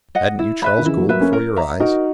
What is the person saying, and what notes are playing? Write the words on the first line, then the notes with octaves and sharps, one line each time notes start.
Hadn't you Charles Gould before your eyes?
D#5 F#5
E4
B4 E5 B5
D#3
C#3 E3 E4
F#3 A#3
F#3 A#3 B4 E5 B5
A#3 C#4
A#4
E5 A#5
D#4 F#4 A#4